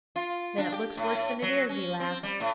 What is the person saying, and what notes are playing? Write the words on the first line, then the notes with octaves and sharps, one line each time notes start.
"Then it looks worse than it is," he laughed.
F4
D4
G4
A2
F#3
C#4
C4
G3
A2